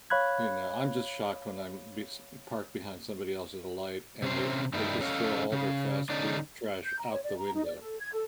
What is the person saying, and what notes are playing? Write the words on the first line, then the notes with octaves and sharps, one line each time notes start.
You know, I'm just shocked when I'm bes parked behind somebody else's light, and they're they just throw all their fast food trash out the window.
C#5 F5 B5 F#6 G#6
C3 C#4 C5
G2 D#3 G3 E4
C#4 A4 C#5 D#5 F5
C#3
D3 C#4 D#4 D5
G6
A#5
C#5
D5
A#5
D#4
D5
A4
G#6
A4